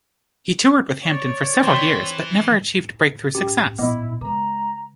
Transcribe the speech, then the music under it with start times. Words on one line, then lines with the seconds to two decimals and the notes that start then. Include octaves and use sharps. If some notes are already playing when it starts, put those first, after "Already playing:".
He toured with Hampton for several years but never achieved breakthrough success.
1.04 C#5 D5
1.63 E3 C4 C5
3.35 C#4 G4 G5
3.79 A#2 B3 E4 D#5 D6
4.21 C#3 G#3 A#5